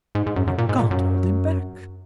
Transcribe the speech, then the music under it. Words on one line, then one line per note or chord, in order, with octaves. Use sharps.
You can't hold him back.
G#2
G#2
F#2
F#2
A#2
G#2
A#2
F#2